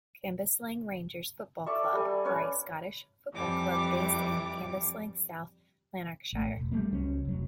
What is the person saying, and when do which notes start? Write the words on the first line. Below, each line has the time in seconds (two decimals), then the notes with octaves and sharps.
Cambuslang Rangers Football Club are a Scottish football club based in Cambuslang, South Lanarkshire.
1.66 A4 D5 E5 C#6
1.93 G3 A4 G#5
2.25 C#4 B4 C#5
3.33 F2 E3 G3 D6
6.33 A1 A3
6.57 E1
6.72 G3 A3 A#3
6.92 C#2 F#3 C#4
7.25 F1 F#3